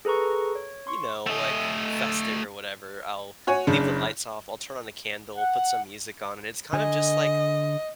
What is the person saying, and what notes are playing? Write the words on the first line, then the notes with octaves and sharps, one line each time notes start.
you know, like, festive or whatever, I'll leave the lights off. I'll turn on the candle, put some music on, and it's kinda just, like,
G#4 A4 B4 A#5 C#6
C#5
C6 C#6
A3 D#5
F#4 C#5 G#5
F#1 C#3 D4
F#5
D3 D#5 G#5